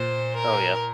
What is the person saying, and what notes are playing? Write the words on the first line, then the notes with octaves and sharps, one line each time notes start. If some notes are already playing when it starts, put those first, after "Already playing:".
Oh, yeah.
Already playing: A#2 C5
A#4